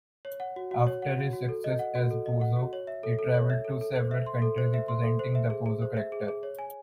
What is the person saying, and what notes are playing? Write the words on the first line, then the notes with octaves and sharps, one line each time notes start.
After his success as Bozo, he traveled to several countries representing the Bozo character.
C#5
F#5
F#4
F#4
C#5
F#5
F#4
F#4
A4
D#5
F#5
F#4
A4
D#5
F#5
F#4
C#5
E5
A4
A4
C#5
E5
A4
A4
C5
E5
C6
A4
C5
E5
C6
A4
C5
E5
G#4
G#4
C5
E5
G#4
G#4
C#5
G#5